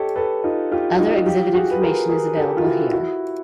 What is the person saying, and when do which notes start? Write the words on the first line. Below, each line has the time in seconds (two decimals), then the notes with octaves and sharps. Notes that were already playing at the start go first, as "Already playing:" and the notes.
Other exhibit information is available here.
Already playing: G4 A4 C#5 D#5
0.16 A4 B4
0.44 D#4 F4
0.72 F4 G4
0.92 F#4
0.98 D#4 F4
1.26 F4 G4
1.53 F#4 G#4
1.71 B4
1.82 G#4 A#4
2.09 G#4 A#4
2.37 G4 A4
2.57 F4
2.64 E4 F#4
2.91 E4 F#4